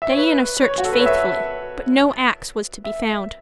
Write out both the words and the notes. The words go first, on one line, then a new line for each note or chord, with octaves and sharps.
Diana searched faithfully but no axe was to be found.
E5
C#5
B4
C#5
F#4
A4
B4
C#5
E5
E5